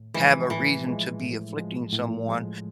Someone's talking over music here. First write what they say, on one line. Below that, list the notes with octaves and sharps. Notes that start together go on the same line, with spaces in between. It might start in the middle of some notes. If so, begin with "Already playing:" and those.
have a reason to be afflicting someone,
Already playing: A2
E3 F3 G#3
A2 E3
F3 G#3
A2
F3 G#3
A2
F3 G#3